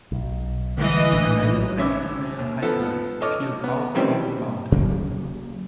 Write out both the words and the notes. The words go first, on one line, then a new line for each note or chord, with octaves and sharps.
A male and female hiker peer out over the mountains.
B1
D3 E3 G3 G#3 D#5
A#1 A2 D4
G#1 C#4 E5 D6 E6
D#2
F3 B3 A4
A4 C#5 D#5 D6 F6
B3
C3 D#3 E3 G3 C4 C#4
C3 F#3 A#3 C#4